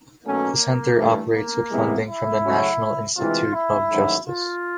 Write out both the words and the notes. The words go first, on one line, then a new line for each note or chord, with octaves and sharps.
The center operates with funding from the National Institute of Justice.
B1 B2 F#3 A3 A#3 C#4
G2 E3 A3
A#3
C3 E3 G#3 B3 E4
E4
C#3 F#3 A3 C#4 F#4
D2 C3 E3 G#3 F4
E4
A1 G#2 D#3 F#3
F4